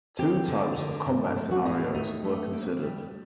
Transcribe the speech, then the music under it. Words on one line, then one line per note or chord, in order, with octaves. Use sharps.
Two types of combat scenarios were considered.
C4 G4
D3
D3
G2
A3
F#4
A2 D#4
D4
A3 D#4
A3
A#3
G3